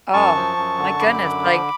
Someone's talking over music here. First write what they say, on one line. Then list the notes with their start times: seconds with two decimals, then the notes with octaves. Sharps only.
Oh, my goodness, like
0.13 F#2 A5 C#6
0.35 F3
0.57 F#2
0.78 D3
1.00 F#2 B5 D6
1.22 D3
1.44 F3